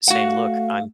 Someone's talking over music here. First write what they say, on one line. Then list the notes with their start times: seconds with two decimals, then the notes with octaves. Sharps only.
saying, "Look, I'm
0.08 A3 F#4 F5 F#5